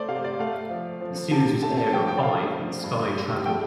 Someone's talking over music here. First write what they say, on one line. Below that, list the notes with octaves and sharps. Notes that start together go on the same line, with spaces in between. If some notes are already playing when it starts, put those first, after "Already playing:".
The series was aired on Five and Sky Travel.
Already playing: A3 C5 D5
C3 F5
D5
A3 F5
F3
F3
C3 A5
A3 A5
A5
F3 G5
G5
D5
A3 F5
F3
G2
G3
A3 G5